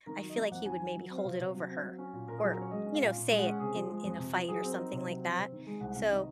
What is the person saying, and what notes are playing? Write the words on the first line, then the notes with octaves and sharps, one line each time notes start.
I feel like he would maybe hold it over her, or, you know, say it in in a fight or something like that, so
D#3 A#4
F#3
D#5
A#3
F2 F#5
D#3 G#5
F#3 G#5
F#3
C4
F5
C3
C3
F#3
C4
F#3
C#4
A#2
A#2 A#4
G#4
F#3
A#4
C#4 C#5
G#3 D#5
C#4
F5
A#2
A#2
G#3
F#5
C#4
C3 G#4
F3
G#3
F2
C3
F3
F#3 G#4
C4
A#4
D#4
C3 C5
F#3
C4
C3
D#3
G#3
C2 F#5
F#5
C3 F5
D#3 D#5